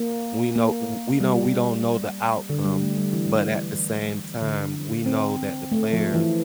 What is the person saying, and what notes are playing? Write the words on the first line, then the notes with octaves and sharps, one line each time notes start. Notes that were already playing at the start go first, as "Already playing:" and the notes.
we know w we know we don't know the outcome, but at the same time, we know that the players,
Already playing: A#3
A#3
G3
D3
G3
A3
G3
E3
D3
C4
A3
F3
E3